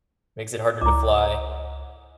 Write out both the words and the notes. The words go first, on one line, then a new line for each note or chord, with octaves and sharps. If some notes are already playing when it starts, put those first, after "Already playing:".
makes it harder to fly.
C#2 E4 D6